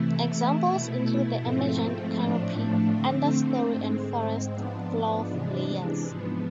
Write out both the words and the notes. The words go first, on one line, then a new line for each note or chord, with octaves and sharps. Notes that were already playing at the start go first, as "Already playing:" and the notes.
Examples include the emergent, canopy, understorey and forest floor layers.
Already playing: C3 E3 A3 E4
B2 A3 E4
G#2 F3 A3 C4
A2 F3 A3 D4
D3 A3 C4
G#2 G#3 C4
G#2 F3 B3 D4
C3 E3 G#3 D4
G#2 F3 B3